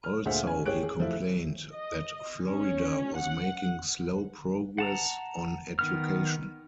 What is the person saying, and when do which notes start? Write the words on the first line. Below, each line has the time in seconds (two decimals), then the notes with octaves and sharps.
Also, he complained that Florida was making slow progress on education.
0.04 F6
0.25 D2 A#2 G#4 C5 E5 F#5
0.44 C#4 G#5
0.66 A1 G4 G#4 C#5 F#6 D7
0.83 G#4
1.00 F3 A3 E4
1.73 D#5
2.42 C#4
3.17 F#5
4.78 F#5 A5 A#5
5.79 D#3 B3 F6